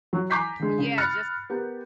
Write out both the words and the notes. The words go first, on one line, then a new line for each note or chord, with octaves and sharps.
Yeah, just
F#3
G#5 A#5 D6 G6 B6 C7
D3 G#3
C#3
B5 F6 F#6 A6 C#7
B3 G4 A#4